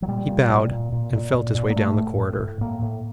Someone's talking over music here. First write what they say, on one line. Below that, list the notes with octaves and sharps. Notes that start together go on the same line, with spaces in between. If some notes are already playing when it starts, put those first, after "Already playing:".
He bowed and felt his way down the corridor.
F#3
A#2 G3
A#2
A#2
A#2
A#2
A#2
A#2
A#2
A#3
A2 A3
A2
A2
A2
A2 A#3
A2